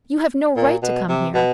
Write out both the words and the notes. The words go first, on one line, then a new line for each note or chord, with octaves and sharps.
You have no right to come here.
A#2
B2
C3
B2